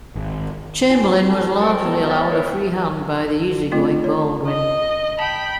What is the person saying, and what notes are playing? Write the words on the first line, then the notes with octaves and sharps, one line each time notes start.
Chamberlain was largely allowed a free hand by the easy-going Baldwin.
G#1
D#4 F4 G#5
A4 A5
G4 A4 A#4 C5 G5 A5
B3 D5 A5 A#5 C#6 E6
C#5 E5 F#5 A#5 D6 A6
A#4 B4 C#5 G5
A3 C4 F4
C#5
D#5
G5 A5 B5